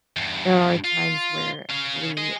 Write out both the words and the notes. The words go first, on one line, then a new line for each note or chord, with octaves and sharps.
there are times where we
E2 G2
F4
C#4 F5
G#4 D#5